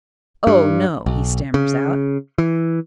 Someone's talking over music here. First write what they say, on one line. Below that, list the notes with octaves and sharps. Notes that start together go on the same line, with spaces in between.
"Oh, no," he stammers out.
G2
B1
C#3
E3